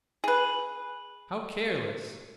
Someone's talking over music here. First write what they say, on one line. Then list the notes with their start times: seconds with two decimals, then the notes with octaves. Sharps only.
How careless!
0.24 G#4 B4